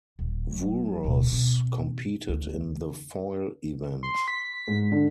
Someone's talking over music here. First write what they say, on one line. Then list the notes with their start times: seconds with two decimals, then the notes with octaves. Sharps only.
Vouros competed in the foil event.
0.19 D#1
0.51 F#3 A3
1.04 D1 B2
1.32 B2 C4
2.28 D2
4.03 C6
4.28 B6
4.68 G#2
4.92 D3